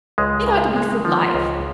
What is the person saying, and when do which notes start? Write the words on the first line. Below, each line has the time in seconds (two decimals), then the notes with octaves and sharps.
It ought to be for life.
0.18 C#2 G#3
0.46 C#3
0.76 G#3
1.05 F3
1.34 C#2